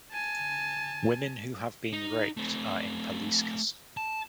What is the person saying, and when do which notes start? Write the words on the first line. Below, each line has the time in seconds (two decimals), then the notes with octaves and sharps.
Women who have been raped are in police custody.
0.12 G#5 A5
1.93 D#4
2.37 A3 C4
3.97 A5